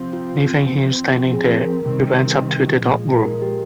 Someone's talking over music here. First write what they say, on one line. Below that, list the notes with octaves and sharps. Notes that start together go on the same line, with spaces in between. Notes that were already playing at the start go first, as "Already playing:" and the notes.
Leaving him standing there, we went up to the top room.
Already playing: C3 F3 C4
F4
F3 C4
G#4
A#4
C3 D#3 G3 C4
A#2 F3 G#3
A#4
G4